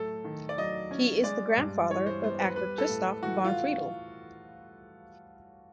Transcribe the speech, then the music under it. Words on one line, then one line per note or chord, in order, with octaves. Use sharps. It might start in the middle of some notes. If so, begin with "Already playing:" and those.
He is the grandfather of actor Christoph von Friedl.
Already playing: A2 F#3 A3 A4
D#3
D5
F#3 D#5
C#4
G#3 D5
G2
E3 C#5
C5
B3 C5
B4
G3 B4
A4
A2
E3 F#4
F4